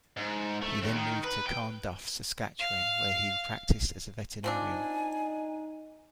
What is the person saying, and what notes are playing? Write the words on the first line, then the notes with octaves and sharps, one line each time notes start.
He then moved to Carnduff, Saskatchewan where he practiced as a veterinarian.
G#2
A3
D#2
D#3
B4
G5
F5
F3 C4 D4 D#4 G#5